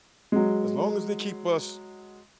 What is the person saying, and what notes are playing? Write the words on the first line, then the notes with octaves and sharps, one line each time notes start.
As long as they keep us
F#3 G#3